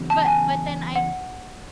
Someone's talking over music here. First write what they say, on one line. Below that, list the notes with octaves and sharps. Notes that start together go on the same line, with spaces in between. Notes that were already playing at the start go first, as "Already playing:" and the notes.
but but then I
Already playing: E2 C#3 F#3
A5
G#5
F#5